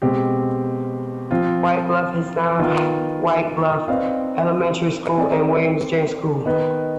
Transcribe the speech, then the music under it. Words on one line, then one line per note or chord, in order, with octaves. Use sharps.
White Bluff now has White Bluff Elementary School and Williams James School.
B2 G#3 C4 G4
F3 C4 F4
D#3 B3 F4
C4 D#4 B4 D5 F5
C4 D#4 G#4 D5
D#3 B3 D#4 B4 D#5